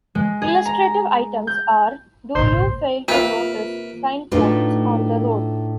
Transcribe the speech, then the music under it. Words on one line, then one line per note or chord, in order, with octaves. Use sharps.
Illustrative items are 'Do you fail to notice signposts on the road?
G#3
G#4
A#5
G6
G#1 C#2 A#2 C5 C6
C3 A#3 F4 B4 C5 F5
A2 A3 D4 D#4 F4 B4